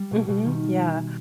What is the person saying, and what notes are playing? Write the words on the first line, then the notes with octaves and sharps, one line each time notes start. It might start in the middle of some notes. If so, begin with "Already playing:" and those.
Mhm. Yeah.
Already playing: G3
B2
B2
D#3